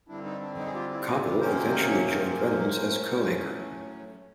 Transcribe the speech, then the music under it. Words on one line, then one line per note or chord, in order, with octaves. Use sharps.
Koppel eventually joined Reynolds as co-anchor.
G2 D3 G3 C4 D4 E4
D#4
D4
D#4
G#4
F4 G4
E4
F4
E4 F#4
F4 G4
C3 D#3 F#3 A#3 C#4 A#4 C5
A#4 C5
A2 F#3 A3 C#4